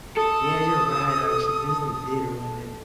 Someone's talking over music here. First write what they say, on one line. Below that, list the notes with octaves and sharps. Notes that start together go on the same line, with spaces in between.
Yeah, you're right, actually Disney did ruin it.
A4 D#6